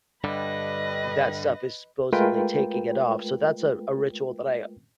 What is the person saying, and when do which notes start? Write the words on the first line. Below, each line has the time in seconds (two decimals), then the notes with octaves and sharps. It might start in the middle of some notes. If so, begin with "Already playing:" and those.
that stuff is supposedly taking it off, so that's a a ritual that I
0.24 G2 D3 G3 B4 D#5 A#6
2.12 G#3 A3 F4 A#4 B4 G5